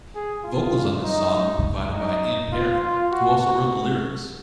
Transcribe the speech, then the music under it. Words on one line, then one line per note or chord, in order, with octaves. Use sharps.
Vocals on this song were provided by Ian Parry, who also wrote the lyrics.
G#4
F4
D#4
D#4
F4
F4
F#4
F#4